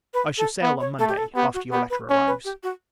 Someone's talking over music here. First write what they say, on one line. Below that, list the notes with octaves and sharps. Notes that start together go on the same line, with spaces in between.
I shall sail, on Monday, after your letter arrives.
B4
A4
B3
C#5
A3 A4
G4
A4
B3 G4
F#4
B3 G4
B4
C#4 C#5
B4
G4
F#4